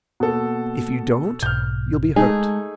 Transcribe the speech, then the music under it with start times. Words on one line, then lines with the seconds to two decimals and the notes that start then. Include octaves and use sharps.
If you don't you'll be hurt.
0.20 B2 A#3 A4 F#5
1.43 B1 G#2 B2 F6 G6
2.16 G#3 A3 D#4 G#4 A5